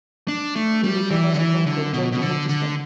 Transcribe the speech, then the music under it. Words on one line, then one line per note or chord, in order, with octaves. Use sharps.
He became a supreme court judge during this time.
D4
A3
G3
E3
D3
E3
D3
B2
B2
D3
D3